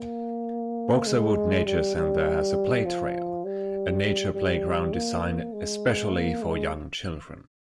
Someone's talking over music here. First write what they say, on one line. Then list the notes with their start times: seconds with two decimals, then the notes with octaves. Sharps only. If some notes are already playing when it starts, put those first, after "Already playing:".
Boxerwood Nature Center has a PlayTrail, a nature playground designed especially for young children.
Already playing: A#3
1.07 G#3
1.66 G3
1.96 G3
2.85 F3
3.45 G3
4.34 G3
4.93 A#3
5.23 A#3
5.53 G#3
6.12 A#3
6.42 G#3